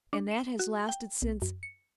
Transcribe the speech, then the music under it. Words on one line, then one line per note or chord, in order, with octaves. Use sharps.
"And that has lasted since--?"
D4
E7
F#4
G5
B1
F#2
C#7